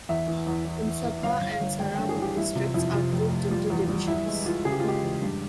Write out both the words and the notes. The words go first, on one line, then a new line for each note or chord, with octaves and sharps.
In Sabah and Sarawak districts are grouped into "Divisions".
E2 E5
E3
E2
E2
E3
E3
G1 F5
G1
F5
G1
G#1 G5
G2 G5
G#4
E3 G4
G3 E4
C3 F4
F2 E4
C3 F4
F1
F1
G3 F4
E2
F4
G3
E3 E4
G#3
E3 F4
C#3 G#4
G4
F4
G#3 G4
E2
G2